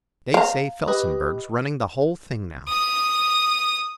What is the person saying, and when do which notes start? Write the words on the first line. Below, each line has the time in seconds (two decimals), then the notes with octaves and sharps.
They say Felsenburgh's running the whole thing now.
0.34 F5 A#5
0.87 G4 B4 D#5
2.69 D#6